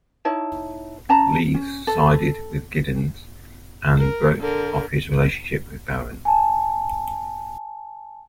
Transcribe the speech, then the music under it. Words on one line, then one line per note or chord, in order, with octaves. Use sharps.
Leese sided with Gittens and broke off his relationship with Baron.
D#4 E4 C#5 A5
C#4 A5 A#5
C#4
A4
A#4
D3 A#4
G#5 A5